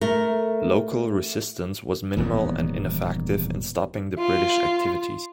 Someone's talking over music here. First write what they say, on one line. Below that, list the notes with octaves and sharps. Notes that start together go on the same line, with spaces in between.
Local resistance was minimal and ineffective in stopping the British activities.
A3 A#4
D#1 E2 G#2 B3
F4